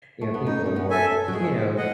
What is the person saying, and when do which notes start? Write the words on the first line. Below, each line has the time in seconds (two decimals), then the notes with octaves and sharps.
You know, people are more, you know?
0.21 A3
0.34 B3
0.47 C#4 D#4
0.66 C#4
0.76 B3
0.90 A4 E5 G#5
1.28 F#3
1.33 G#3 G#4
1.77 D#5 F#5